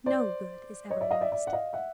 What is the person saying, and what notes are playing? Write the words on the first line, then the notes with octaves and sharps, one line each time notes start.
No good is ever lost.
C5 D5
C#5 D#5
D5 E5
D#5 F5
D5 E5
D5 E5
F#5
D#5 F5
E5 F#5